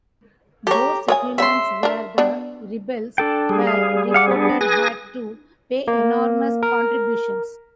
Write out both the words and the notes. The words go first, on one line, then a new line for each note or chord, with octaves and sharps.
Those settlements where the rebels were reported had to pay enormous contributions.
G4 A4 C#5 A#5
A#4 C#5 G#5 D#6
C#3 C#4 E5 C6
D4 A#4
B3 D4
D4 A4 G5
G3 G#4
F5
F5 F#5 D6
B3 D4
G#4 B4 G#5 A#6
A#3
A#4